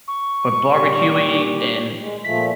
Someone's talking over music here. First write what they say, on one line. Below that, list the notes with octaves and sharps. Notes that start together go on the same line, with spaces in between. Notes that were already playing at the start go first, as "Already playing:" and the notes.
but barbecue-y, and,
C#6
A#2 G3 G4
G#3
A#2 F3 A3 B6